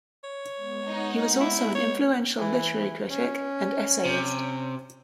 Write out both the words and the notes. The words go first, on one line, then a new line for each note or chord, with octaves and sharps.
He was also an influential literary critic and essayist.
C#5
G#3 B3
D#4 F#5
E4
C#5
E3
C#4
C3